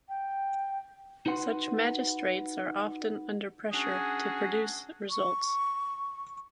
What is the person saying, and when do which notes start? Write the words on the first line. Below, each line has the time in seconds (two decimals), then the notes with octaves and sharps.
Such magistrates are often under pressure to produce results.
0.09 G5
1.26 D#4 F#4 B4 F#5 C6
3.72 F#3 C#4 D4 F#4 G#4
5.10 C#6